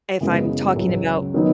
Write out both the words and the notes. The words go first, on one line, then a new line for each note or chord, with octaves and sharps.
if I'm talking about
F#2 C#3 E3 G#3 B3
C#2 C#3 F#3
D#3 F#3 B3 D#4